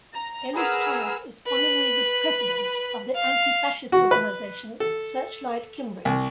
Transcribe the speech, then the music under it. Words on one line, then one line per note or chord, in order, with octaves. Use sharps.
Elis-Thomas is Honorary President of the anti-fascist organisation Searchlight Cymru.
A#5
G#4 A#4 B4 F#5 E6 F6
B4
F5
F#4
B4
A4
C2